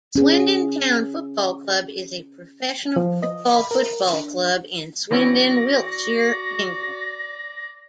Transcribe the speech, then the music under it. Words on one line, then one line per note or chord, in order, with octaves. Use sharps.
Swindon Town Football Club is a professional football football club in Swindon, Wiltshire, England.
C#4 G#4
F3
D#5
B5
A#4
D4
E3 C4 C#4 F#4 D5 A#6